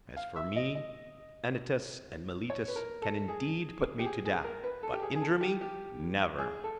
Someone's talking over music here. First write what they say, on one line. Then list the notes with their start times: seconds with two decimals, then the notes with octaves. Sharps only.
As for me, Anytus and Meletus can indeed put me to death, but injure me, never!
0.16 F5
0.36 E5
0.56 D#5
0.75 D#5
2.50 C#5
2.68 B4
2.76 A#4
3.02 A4
3.28 G#4
3.99 G4
4.05 G#4
4.25 G#4
4.44 A#4
4.63 B4
4.83 A4
4.93 G4
5.02 G#4
5.15 G#4
5.21 A4
5.41 G4
5.61 G4
6.38 G#4
6.64 A4